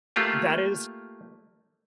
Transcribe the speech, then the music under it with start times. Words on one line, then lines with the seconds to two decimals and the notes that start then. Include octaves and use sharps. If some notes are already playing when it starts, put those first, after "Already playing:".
that is
0.16 A3 A#3 F4 G4